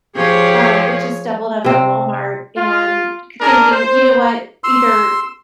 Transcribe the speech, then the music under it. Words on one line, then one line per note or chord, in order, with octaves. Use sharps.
um, but just doubled up at Walmart and thinking, "You know what?" Either i
F3 G4 G#4 C#5
C3 C4
F4
D4 G#4 A#4
C5
C6 E6